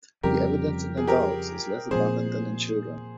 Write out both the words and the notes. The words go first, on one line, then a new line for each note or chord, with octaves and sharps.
The evidence in adults is less abundant than in children.
F2 C#3 G3 G4 A#4
G#4
G4 A#4
A#2 F3 C4 G#4 C5